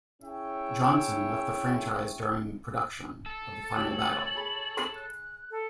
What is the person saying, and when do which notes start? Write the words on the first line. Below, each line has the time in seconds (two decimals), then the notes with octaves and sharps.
Johnson left the franchise during production of "The Final Battle".
0.22 C#4 E4 G#4 C#5 E5 G5
3.26 A4
3.76 D2 G4 C#5 F#7
4.35 G#4 B5
4.95 F#6
5.51 A4